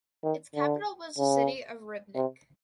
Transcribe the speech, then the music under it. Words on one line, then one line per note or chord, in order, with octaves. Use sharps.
Its capital was the city of Rybnik.
D#3
D3
C#3
C3